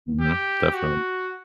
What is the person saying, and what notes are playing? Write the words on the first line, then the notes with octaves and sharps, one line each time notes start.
Mhm. Definitely.
G4
F#4